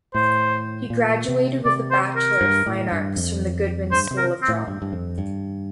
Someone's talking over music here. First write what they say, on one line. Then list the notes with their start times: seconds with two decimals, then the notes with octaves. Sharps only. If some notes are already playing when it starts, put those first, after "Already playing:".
He graduated with a Bachelor of Fine Arts from the Goodman School of Drama.
0.15 A2 C5
0.90 A#2
1.28 C3
1.65 C3 D5
1.91 C5
2.16 A#4
2.41 G2
2.66 A2
2.92 G2
3.16 F2
3.92 G2 C5
4.11 C3
4.17 A#4
4.42 C4
4.48 A2
4.68 G2
4.82 G2
4.92 F2
5.18 G2